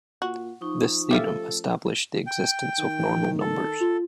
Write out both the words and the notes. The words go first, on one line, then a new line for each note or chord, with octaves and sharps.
This theorem established the existence of normal numbers.
A#2 F#4
F3 D#4 C#6 D#6
A3 C#4 G4 A4 E5 F5
G5
D#3
A4
F4